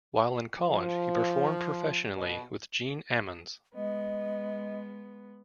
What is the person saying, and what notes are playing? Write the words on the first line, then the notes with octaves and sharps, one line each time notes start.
While in college, he performed professionally with Gene Ammons.
F3
B2
G#3 B3 D#5